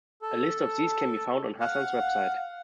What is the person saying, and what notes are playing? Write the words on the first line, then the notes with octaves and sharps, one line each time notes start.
A list of these can be found on Hassan's website.
A4
F5 F#5